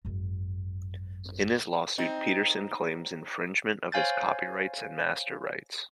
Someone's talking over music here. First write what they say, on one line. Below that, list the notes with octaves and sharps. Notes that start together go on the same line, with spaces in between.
In his lawsuit Peterson claims infringement of his copyrights and master rights.
G#1 F#2
C4 D#4
C5 C#5 F5 G#5 G6 A6